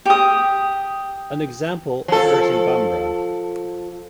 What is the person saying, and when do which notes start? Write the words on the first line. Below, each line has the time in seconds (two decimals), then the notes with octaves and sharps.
An example occurs in Bambara.
0.05 G4 D#6
2.08 F3 A4